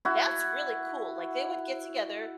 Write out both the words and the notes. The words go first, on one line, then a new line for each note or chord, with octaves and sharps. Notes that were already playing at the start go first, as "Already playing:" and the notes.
"That's really cool," like, they would get together,
E4 F#4